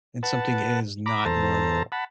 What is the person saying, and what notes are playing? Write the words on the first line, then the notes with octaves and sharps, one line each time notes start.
and something is not normal,
B4 F#5 A5
A#5 B5 D6
E2 A4 C5 A5 A#5
F#5 A5 B5